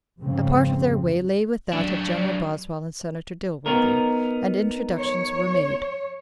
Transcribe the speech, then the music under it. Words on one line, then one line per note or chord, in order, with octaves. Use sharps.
A part of their way lay with that of General Boswell and Senator Dilworthy, and introductions were made.
F2 G#2 C#3 C4
F#3 D4
B3 D#4 A#4
C#5